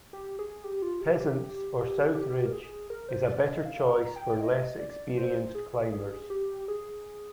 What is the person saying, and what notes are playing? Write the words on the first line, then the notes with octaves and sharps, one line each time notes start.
Peasants or South Ridge is a better choice for less experienced climbers.
G4
G#4
G4
F4
G4
G4
G4
A#4
G#4
A#4
C5
D5
D#5
F5
A#5
G5
D#5
D5
C5
G#4
G#4
G4
G#4